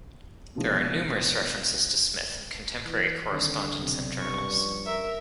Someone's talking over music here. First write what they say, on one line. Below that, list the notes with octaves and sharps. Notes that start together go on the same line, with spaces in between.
There are numerous references to Smith in contemporary correspondence and journals.
B2 D3 F3 G#3
E3
D3 D#3 G3 C4
B1 C3
G2 C#6
F3 C#4 D4
A#4 E5